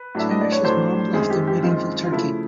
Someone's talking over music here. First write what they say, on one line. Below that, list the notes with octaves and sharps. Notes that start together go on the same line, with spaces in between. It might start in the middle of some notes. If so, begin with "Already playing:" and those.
Turmish is modeled after medieval Turkey.
Already playing: B4
A2 F#3 A3 D4 E5
D#5
D5
C#5
A2 F#3 A3 D4 C5
F#2 D#3 G#3 C4 G#4
G4
G4
F#2 D#3 G#3 C4 F4
F4
C#3 F3 A3 E4